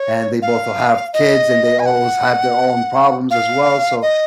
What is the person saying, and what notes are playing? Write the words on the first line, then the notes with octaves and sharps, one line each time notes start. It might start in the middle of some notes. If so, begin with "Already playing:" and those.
and they both will have kids, and they always have their own problems as well, so
Already playing: C#5
F5
D#5
G#5
F#5
F5
D#5